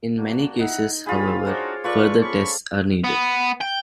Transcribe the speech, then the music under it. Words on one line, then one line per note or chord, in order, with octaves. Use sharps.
In many cases, however, further tests are needed.
A#3 D4 F#4
D#4 E4 F#5
C#4 F4 G#4 G5 B5
D4 D#4 F#4 C5 C#5 D6
F4 A4 B4 D5 C#6
C#4 B5 C#6
B3
G5